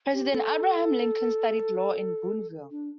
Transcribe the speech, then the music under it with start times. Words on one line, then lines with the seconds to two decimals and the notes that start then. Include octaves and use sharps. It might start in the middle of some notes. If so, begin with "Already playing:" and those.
President Abraham Lincoln studied law in Boonville.
0.14 G4
0.33 A4
2.71 D4